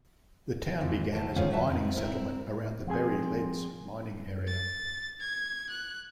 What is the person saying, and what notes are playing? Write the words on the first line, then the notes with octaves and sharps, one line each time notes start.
The town began as a mining settlement around the Berry Leads mining area.
F2 G#2 E3 F3
D2 A3 A#4 A5
D2 D#3 F3 C#4 G#4 F5
F#3 F#4 E5 A5
F2 C4 D#4 B4
C4 E4 A#4
F3 C4 G#4 G#5
A6
G#6
F#6